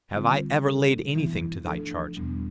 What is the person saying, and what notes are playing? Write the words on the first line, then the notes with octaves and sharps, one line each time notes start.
Have I ever laid anything to Thy charge?
D3 G3 C4 F4
B2 G3 D4 A4
G2 E3 G3 B3 E4
F3 A3 D4 A4
E2 B2 G3 B3 D4